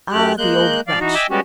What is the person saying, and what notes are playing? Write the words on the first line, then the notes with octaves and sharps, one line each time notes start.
Ah, the old wretch!
F#2 G4 F#6
G#3 A#3 F#6 G6
F3 D5 F5
E3 D#4 F#4
D#5 E5 G5 G#5 D6 E6
G3 G#3 B3 C#4 F#4 G4